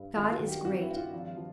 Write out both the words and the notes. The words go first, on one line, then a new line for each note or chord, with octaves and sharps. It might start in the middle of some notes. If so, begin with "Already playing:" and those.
God is great.
Already playing: G2
G#1 F4
F#4
D#3
G4
G#1 F#4
E4
G2
F4
F3
F3